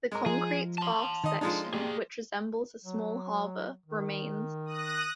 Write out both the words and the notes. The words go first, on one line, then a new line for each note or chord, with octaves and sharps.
The concrete baths section, which resembles a small harbour, remains.
G#3 A#4
F3 G#4
A5 C6
D#3 D#4 D#5
F3 G#3 D4 D#4 A4
A#3 G4 G#4
F#3
D#3
D#6 F#6 A#6